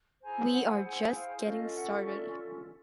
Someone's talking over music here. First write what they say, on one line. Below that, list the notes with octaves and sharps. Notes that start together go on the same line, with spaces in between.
We are just getting started.
E4 G#4 C5 G#5 A#5
F#5 G#5
F#5 G#5
F5 G5
C#4 F4 A4 D#5 F5
E5 F#5
D5 E5